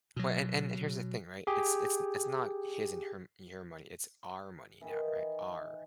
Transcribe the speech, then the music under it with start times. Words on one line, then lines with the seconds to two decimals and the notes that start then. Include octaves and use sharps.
Well and and here's the thing. Right? It's it's it's not his and her your money. It's our money now, right, our.
0.16 B2 F#3
1.47 G4 G#4
4.81 D#3 E3